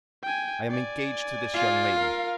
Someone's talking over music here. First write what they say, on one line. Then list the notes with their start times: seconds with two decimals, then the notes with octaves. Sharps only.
I am engaged to this young lady.
0.23 G5 G#5
0.70 D5 G#5
1.54 F4
1.99 A#4 F5